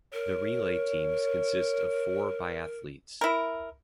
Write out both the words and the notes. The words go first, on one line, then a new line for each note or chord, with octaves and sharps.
The relay teams consist of four biathletes.
A#4 C#5
E4 A#4